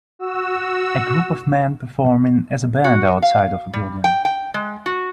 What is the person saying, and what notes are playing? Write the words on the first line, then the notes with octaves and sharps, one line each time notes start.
A group of men performing as a band outside of a building.
F#4 E6
F#4
F5
G3
G5
G5
G#3
F#4